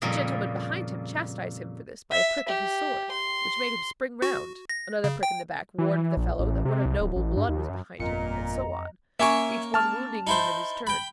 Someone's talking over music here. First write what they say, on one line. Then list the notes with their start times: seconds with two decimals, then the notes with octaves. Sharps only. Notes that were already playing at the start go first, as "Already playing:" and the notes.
The gentleman behind him chastised him for this by a prick of his sword, which made him spring round; another prick in the back warned the fellow that one of noble blood was behind him, and so on, each one wounding him in his turn.
0.02 F2 A#2 C#3 G3 A#3
2.12 E5
2.48 G4
3.11 C6
4.22 F#4
4.69 A#6
5.04 C#3
5.23 G5
5.78 E3
6.17 A#1
6.39 A1
6.65 C3
6.86 C2
7.01 D1
7.16 A1
7.37 G2
7.49 D#2
7.70 F#2
8.00 G1 F2 A#2 D#5 A#5 C#7
9.20 A#3 C#4 A#4 E5 G#5 C#6
9.74 A5 F6
10.27 D#4 E4 C5
10.87 G5 B5